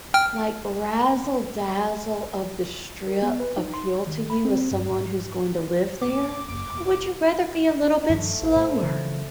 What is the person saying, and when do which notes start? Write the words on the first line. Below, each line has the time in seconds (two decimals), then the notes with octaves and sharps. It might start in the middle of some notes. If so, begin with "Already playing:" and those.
like, razzle-dazzle of the strip appeal to you as someone who's going to live there, or would you rather be a little bit slower?
0.14 G5 F6
3.07 A#4
3.22 B3
3.40 B4
3.57 D#4
3.74 C6
4.07 D#3
4.30 B5
4.45 C4
4.71 G2
4.90 G#2
6.02 A2 A#3 D6
6.49 F#1 D6
6.70 E1 F2
8.09 G2 D#3 F3 A3
8.42 A1 F3
8.56 A2
8.83 C#3 E3 F#3